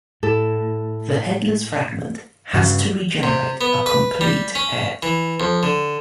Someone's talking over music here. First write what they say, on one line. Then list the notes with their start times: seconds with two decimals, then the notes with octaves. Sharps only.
The headless fragment has to regenerate a complete head.
0.23 A2 E4 A4
2.53 G2 C#3 F#4 B4 F#5
3.23 C3
3.61 B3
3.86 B4
4.21 G3
4.55 C#4
5.03 E3
5.40 F2
5.63 D3